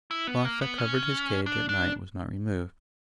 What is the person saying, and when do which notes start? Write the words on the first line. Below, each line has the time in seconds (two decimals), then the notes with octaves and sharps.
The cloth that covered his cage at night was not removed.
0.11 E4
0.27 B3
0.45 A#3
0.61 B3
0.78 C#4
1.46 D4
1.69 D4